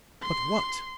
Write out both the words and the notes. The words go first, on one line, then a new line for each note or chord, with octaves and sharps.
But what?
C6 C7